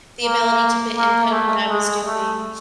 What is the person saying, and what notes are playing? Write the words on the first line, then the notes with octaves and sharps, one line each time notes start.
the ability to put input on what I was doing.
A#3
A#3
A3
G#3
A3